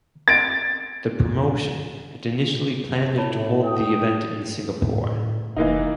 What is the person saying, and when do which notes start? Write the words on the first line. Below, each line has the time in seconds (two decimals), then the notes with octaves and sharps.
The promotion had initially planned to hold the event in Singapore.
0.28 A6 D7
3.18 A2 C#5 A5 B5
3.64 G5 D#6
4.84 A2
5.56 F1 E3 A#3 D#4